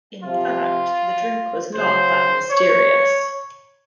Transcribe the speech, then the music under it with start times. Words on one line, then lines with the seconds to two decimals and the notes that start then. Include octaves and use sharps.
In fact the drink was not that mysterious.
0.24 C3 F3 F4
1.75 C#3 F#3 C5
2.51 C#5